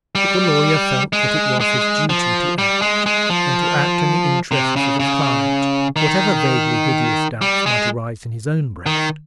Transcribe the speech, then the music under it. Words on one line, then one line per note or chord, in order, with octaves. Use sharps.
But the lawyer felt that it was his duty to act, and to act in the interests of his client, whatever vaguely-hideous doubts might arise in his own breast.
G3
G#3
G#3
F3
G3
G#3
G#3
F3
C3
C#3
C#3
D#3
G3
G#3
D#3